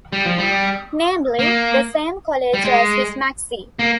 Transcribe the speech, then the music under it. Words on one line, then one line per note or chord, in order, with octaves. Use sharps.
Namely, the same college as his "Maxie".
G3
F3
G3
A#3
G3
G#3
A#3